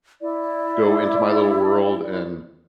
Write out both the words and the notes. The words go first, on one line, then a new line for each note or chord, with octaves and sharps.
go into my little world and
E4 D5